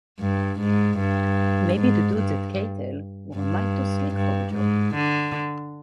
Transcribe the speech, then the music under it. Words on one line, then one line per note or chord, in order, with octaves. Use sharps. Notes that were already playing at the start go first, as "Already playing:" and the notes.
Maybe the dudes at K-Tell were a mite too slick for the job.
G2
G#2
G2
G#2
G2
G2
G2
G#2
D3